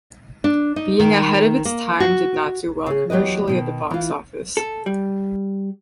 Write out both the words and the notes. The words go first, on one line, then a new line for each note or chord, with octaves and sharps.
Being ahead of its time did not do well commercially at the box office.
D4
D#4
D#3
A#3
F#4
C#3 G#4
E2 F#3 G4 B4 D#5
B2 D#3
E3 F4
A4
G3